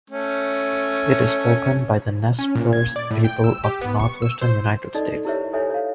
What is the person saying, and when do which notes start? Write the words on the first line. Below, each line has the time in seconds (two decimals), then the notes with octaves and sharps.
It is spoken by the Nez Perce people of the Northwestern United States.
0.10 A3 C#4
2.39 C#4
2.55 A#2
2.73 G#6
2.96 D5
3.11 A2
3.24 G5
3.44 E6
3.64 G4
3.81 B3
4.00 C#6
4.22 E6
4.41 C5
4.94 D#4 A4 D5 D#5
5.25 E4 G4 A#4 C5 C#5 E5
5.53 A4 C5 C#5 E5 G#5
5.70 C#5 F5